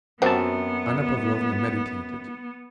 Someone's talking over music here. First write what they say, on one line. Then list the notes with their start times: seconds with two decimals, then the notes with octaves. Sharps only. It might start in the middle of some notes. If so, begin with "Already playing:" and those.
Anna Pavlovna meditated.
0.22 F#2 B3 C4 F#4 G4 A5